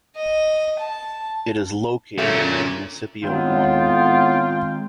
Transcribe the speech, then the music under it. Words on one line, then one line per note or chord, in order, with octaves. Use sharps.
It is located in Municipio One.
D#5
A5
A#2 D3 A3 C#4
A2 D#3 G#3 B3 C4 F4 G5